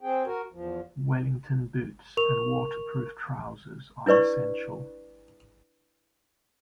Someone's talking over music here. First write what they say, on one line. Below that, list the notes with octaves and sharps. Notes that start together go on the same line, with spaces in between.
Wellington boots and waterproof trousers are essential.
C4 G#4 G5
F#4 A#4
E2 F3
A#4 C#6 F7
D4 E4 B4 D5 C#6